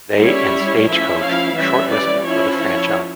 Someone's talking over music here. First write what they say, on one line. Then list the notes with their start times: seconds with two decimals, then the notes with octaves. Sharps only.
They and Stagecoach were shortlisted for the franchise.
0.18 G3 C#4 E4 C#5
0.87 F3 C#4 E4 E5
1.22 F5
1.56 E3 G3 C#4 E5
1.90 D5
2.24 F3 C#4 E4 C#5
2.59 C#5